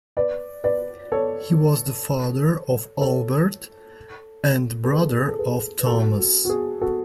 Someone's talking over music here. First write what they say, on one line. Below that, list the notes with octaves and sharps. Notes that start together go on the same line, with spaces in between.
He was the father of Albert and brother of Thomas.
B4 D5
B4 D5
A4 C#5
A4 C#5
A4
G#4 B4
G#4
A4
G#4 B4
B4
F#4 A4
F#4
F#4
G#4
F#4 A4